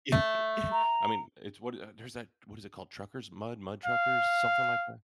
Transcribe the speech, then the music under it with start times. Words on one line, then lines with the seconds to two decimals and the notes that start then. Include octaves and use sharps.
I mean, it's what, uh, there's that, what is it called, truckers, mud mud truckers, something like that?
0.12 A3
0.72 A#5
3.86 F5